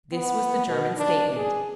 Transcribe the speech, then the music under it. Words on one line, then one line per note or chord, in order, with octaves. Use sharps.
This was the German statement.
B3
B2
D4
G#4